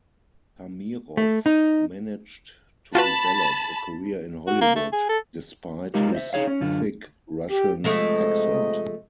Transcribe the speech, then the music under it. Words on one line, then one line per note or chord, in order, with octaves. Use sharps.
Tamiroff managed to develop a career in Hollywood despite his thick Russian accent.
A3
D#4
F4 F#4 B4 A5 B5
F#4
A#3
A3
G#4
A4
G#3 D#4 F4 G4 A#4
C5 D#5 E5
D#4 G#4 C#5 F5
C#4
F#2 D3 F4
G4
C3 F3 G#3 A3 D#5